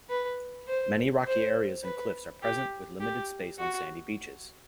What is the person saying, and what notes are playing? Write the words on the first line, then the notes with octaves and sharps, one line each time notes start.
Many rocky areas and cliffs are present, with limited space on sandy beaches.
B4
C5
C5
B4
G4
G4
F#4